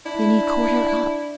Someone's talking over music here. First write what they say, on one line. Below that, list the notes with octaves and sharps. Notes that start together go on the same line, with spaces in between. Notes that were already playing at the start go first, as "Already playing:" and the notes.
Then he caught her up.
D4 E4